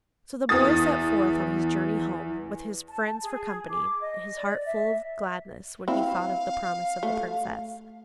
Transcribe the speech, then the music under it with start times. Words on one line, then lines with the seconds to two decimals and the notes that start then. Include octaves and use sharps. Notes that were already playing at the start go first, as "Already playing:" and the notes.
So the boy set forth on his journey home, with his friends for company; his heart full of gladness when he thought of the promise of the princess.
0.49 E2 E3 D#6 A6
2.88 A5
3.22 G#4
3.70 D6
4.00 D#5
4.35 D5
4.65 E5
5.88 C4 E4 F5
7.03 A3